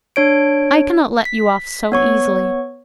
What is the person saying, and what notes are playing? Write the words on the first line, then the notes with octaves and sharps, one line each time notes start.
I cannot let you off so easily.
D4 C#5 D7
B6
B3 C#5 C#6